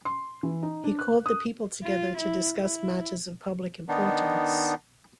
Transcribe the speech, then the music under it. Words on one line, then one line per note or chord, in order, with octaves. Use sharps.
He called the people together to discuss matters of public importance.
C6
E3
D#4
D4
F#6
D#6
F4
E4
E4
D#3 B3 D4 D#4